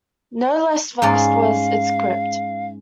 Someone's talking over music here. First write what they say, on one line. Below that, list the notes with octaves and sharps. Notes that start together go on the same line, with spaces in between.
No less vast was its crypt.
G#2 C#4 D5 F5